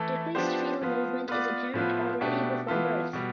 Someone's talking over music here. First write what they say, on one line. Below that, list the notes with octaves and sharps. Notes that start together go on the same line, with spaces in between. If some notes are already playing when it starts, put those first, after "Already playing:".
Decreased foetal movement is apparent already before birth.
Already playing: E3 A3 E4 A4
F3 B3 D4 G4 C5
F3 B3 F4
B3 F4 B4 D5
A2 F3 B3 F4 B4
B2 A3 D4 G4
E3 B3 F4 A4
B2 G3